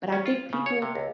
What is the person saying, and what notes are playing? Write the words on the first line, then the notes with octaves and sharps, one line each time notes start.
But I think people
C#4
F4
C#3
C#5
C3
C#2